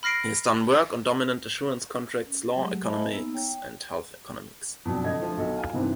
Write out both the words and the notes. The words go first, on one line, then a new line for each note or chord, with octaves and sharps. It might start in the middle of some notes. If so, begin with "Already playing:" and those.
He has done work on dominant assurance contracts, law and economics and health economics.
B5 F6 A#6 C7 D7
C#4
F#3 G#3 A3 G4 G#4
C5 D#5 E5 G#5 A5 B5
A#3 B3 D#4 A#5 E6
C#5 G5
F2 B2 F#3 D4
F2 C#3 A4 D#5 G#6
D3 F3 A3
B1 F#4 A4 D#5
F4 G#5
G2 C3 D#3 E3 B3 C4